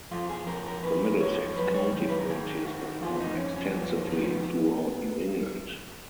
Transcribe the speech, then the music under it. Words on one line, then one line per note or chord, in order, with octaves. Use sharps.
The Middlesex County Volunteers perform extensively throughout New England.
F2 F4
G#4
F2 A#4
A#4
F2 B4
F2 C#5
F#2 B4
C#5
D#3
B4
A#4
D#3 G#4
D#3 F#4
F2 F4
D#4
F2 C#4
C#4
F2 B3
A#3
D#3 B3
C#4
B3